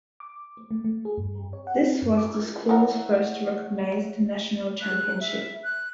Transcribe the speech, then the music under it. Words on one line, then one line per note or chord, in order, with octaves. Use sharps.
This was the school's first recognized national championship.
D6
A3
A3
G#4
G2
C#5
F#5
C4
G2
D6
E3 A3 A4 A#4 C#5 F#5
F#6
E5
F#6